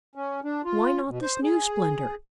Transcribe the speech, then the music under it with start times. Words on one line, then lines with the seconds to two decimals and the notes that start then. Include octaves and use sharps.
Why not this new splendor?
0.15 C#4
0.44 D4
0.65 F4
1.09 B2
1.22 C5
1.43 G#4